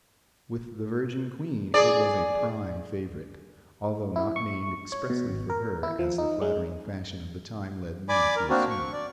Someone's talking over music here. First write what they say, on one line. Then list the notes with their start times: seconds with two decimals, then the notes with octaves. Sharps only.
With the Virgin Queen it was a prime favorite, although not named expressly for her as the flattering fashion of the time led many to assume.
1.74 G#4 D5
4.16 E4
4.36 C#6
4.92 C#5
5.10 B2
5.28 G#1
5.50 A#4
5.83 E4
5.99 F3
6.18 D#4
6.42 G#3
8.09 D5 G#5 B5 D6
8.36 A#4
8.50 A#3 C4 D4 F#4 A#4
8.70 C#6
8.93 D5